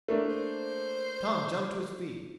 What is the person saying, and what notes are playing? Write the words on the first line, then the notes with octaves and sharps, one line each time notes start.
Tom jumped to his feet.
A3 A#3 D4
C5